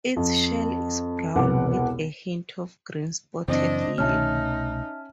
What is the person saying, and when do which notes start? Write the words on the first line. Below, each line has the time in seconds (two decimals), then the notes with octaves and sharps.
Its shell is brown with a hint of green, spotted yellow.
0.16 F2
1.35 E1 C2 B3 F#5 D6
3.48 F#2 C#3 E3 C4 D4 D#5
3.98 C2 B2 A3 C#4 D#4 E5 A5 F6